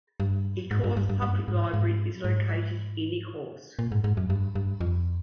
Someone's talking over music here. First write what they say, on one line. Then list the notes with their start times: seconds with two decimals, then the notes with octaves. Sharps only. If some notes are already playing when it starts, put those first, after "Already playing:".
Ecorse Public Library is located in Ecorse.
0.20 G2
0.71 G#2
0.84 G2
0.97 G2
1.09 G2
1.22 G2
1.48 G#2
1.74 G#2
2.24 G#2
3.79 A#2
3.92 G#2
4.04 G#2
4.17 F#2
4.30 G2
4.55 G2
4.81 F2